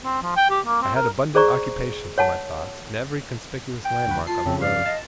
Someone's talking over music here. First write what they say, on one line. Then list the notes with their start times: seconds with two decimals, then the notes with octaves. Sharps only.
I had abundant occupation for my thoughts, in every conspicuous landmark on the road.
0.04 C4
0.22 F3
0.37 G5
0.50 G4
0.66 A#3
0.82 C4
0.95 A#4
1.35 G#4 C5 D5 A#5 C#6
2.18 C#5 F#5 A5
3.85 G5
4.07 D2 F#4 B4
4.27 F4 A5 C7
4.46 F2 C#3 C4
4.61 D5 F5
4.86 D#5 A5